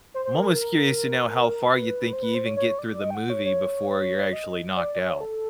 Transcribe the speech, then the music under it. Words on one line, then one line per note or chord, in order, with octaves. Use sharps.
I'm almost curious to know how far you think you even get through the movie before you're actually knocked out.
C5
C5
A#4
B4
C5
B4
C5
C#5
C#5
D5
D#5
G5
F#5
C#5
C#5
D#5
D5
D5
C#5
A4